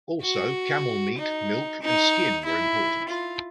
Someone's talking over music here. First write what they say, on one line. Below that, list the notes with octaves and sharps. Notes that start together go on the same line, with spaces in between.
Also camel meat, milk, and skin were important.
F#4
D#4
D#4
E4
F4